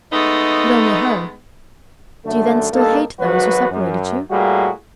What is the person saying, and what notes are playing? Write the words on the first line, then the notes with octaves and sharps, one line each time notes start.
"But only her; do you then still hate those who separated you?"
G#3 A3 B3 D#4
F#2 D3 A3
G2 A#3 D#4 A4
G#1 F#3 F#4 B4
F#2
A2 G3 A#3 F#4 G#4